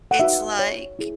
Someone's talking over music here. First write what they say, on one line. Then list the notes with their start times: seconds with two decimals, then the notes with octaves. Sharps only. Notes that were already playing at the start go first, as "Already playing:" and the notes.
it's like
0.11 F#5
0.19 D#4 F#4 B4 E5
0.59 C#5
0.99 E4 G#4